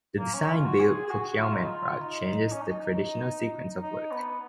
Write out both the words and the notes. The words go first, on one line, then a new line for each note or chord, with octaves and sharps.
The design-build procurement route changes the traditional sequence of work.
A#3
C#4
F4
F#4
G#4
G#4
F#4
F4
D#4
F4
F4
D#4
C#4
D#4
D#4
B3